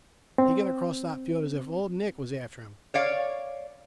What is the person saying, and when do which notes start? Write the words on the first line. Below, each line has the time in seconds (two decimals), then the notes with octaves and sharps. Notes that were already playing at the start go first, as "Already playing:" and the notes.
He got across that field as if Old Nick was after him.
0.38 C4
2.94 C#5 D5 F5